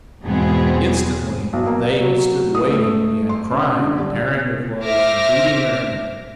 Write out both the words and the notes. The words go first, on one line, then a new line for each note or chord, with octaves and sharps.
Instantly they who stood waiting began crying and tearing their clothes and beating their hands.
E2 G#2 B2 B3 C4 G#4
B1
A#3
F#3
D#6
A3
C6
C#4
D3
G3
C5 E5 D6 F6 A#6